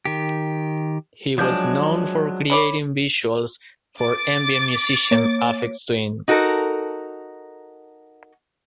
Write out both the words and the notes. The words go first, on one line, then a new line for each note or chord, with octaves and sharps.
He was known for creating visuals for ambient musician Aphex Twin.
D#3 G4
F3 F#3 G#3 D4 G6
C#5 D5 B5
D6 A6
A#3 C#5
D#4 F#4 A4 A#4